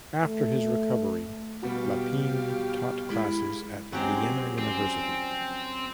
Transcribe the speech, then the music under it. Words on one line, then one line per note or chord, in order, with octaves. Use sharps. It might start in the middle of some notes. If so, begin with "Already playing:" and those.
After his recovery Lapine taught classes at Vienna University.
A3
B2 G3 B3 F#4 G4 F5
G#3 E4 B6
F#3 G#3 C4 C#4 G4 C5
F3 C4 C#4 D5